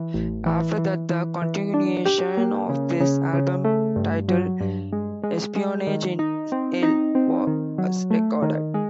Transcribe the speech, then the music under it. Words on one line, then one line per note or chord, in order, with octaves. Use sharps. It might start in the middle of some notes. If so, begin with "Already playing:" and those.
After that the continuation of this album titled "Espionage in Hell" was recorded.
Already playing: E3
A1
E3
E3
E3
E3
D4
G4
A#3
C#3
C#3
C#3
A3
G2
F#3
G2
G#3
G#3
G#3
D#3
D#4
C4
D#4
C4
D#3
F#3
A3
D#3
G#3